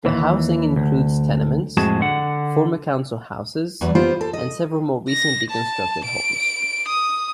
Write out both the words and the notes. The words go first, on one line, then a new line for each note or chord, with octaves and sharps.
The housing includes tenements, former council houses and several more recently constructed homes.
D#2 E3
D2
F2 A2 G#3 F#4 G#4 A5
D3 F#5
E2 F#3 G3
B3 F4 G4 C5
A4
D#5
A#6
A5
D7
D#6